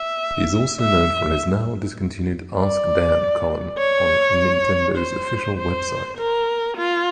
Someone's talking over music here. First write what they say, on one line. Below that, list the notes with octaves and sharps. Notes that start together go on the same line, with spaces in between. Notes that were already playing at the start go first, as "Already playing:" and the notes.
He is also known for his now-discontinued "Ask Dan" column on Nintendo's official website.
Already playing: E5
E5
D5
C#5
C5
C5
A#4
F4